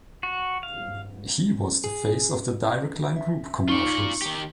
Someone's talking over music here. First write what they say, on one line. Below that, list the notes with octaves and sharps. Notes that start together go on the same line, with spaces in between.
He was the face of the Direct Line Group commercials.
F#4
F5
G#4
E5
D#4 F4 D5 C#6
D#3 G4